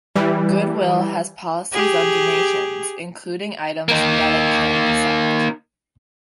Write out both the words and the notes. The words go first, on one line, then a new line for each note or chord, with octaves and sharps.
Goodwill has policies on donations, including items that it can accept.
E3 G3
G4 G#4
A#3 D#4